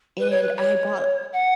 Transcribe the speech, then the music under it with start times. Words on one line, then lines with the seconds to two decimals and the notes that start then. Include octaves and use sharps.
and I bought
0.18 B4
0.30 C#5
0.41 B4
0.56 C#5
1.32 F#5